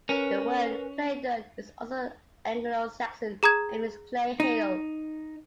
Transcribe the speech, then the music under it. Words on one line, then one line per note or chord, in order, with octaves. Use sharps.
The word Claydon is also Anglo Saxon, and means 'clay hill'.
C#4 A#4 B4
G#4 A#5 D#6 G#6
D#4